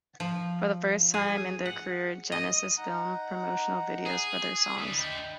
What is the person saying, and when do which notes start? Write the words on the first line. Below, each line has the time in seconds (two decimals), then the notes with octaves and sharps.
For the first time in their career, Genesis filmed promotional videos for their songs.
0.20 F3
1.14 G#4
1.66 F#5
2.32 D#5
2.77 D#4 F#5 A#5
4.06 G#4
4.78 D4 E4 E5
4.98 D#5 G5 B5